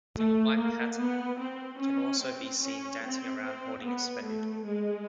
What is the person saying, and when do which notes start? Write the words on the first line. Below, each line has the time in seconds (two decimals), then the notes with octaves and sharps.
Singer Mike Patton can also be seen dancing around holding a spade.
0.17 A3
0.58 A#3
0.99 B3
1.40 C4
1.81 C#4
2.22 C4
2.63 C#4
3.04 C4
3.44 C4
3.85 B3
4.25 A3
4.66 G#3